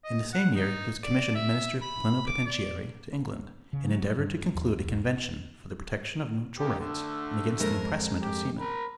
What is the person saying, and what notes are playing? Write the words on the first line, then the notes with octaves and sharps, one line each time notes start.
In the same year he was commissioned Minister Plenipotentiary to England, and endeavored to conclude a convention for the protection of neutral rights, and against the impressment of seamen.
D#5
F#5
D#4
D5
E5
B5
D6
D5
C#3
F#3
G2
D#2
E1
A#3 G4
D3 A3
F2 G#3 A#4
G4
A#4 B5